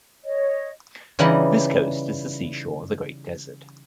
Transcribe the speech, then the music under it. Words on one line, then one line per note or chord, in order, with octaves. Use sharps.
This coast is the seashore of the Great Desert.
C#5 D#5
C#3 E3 G3 D#4 D5 F#5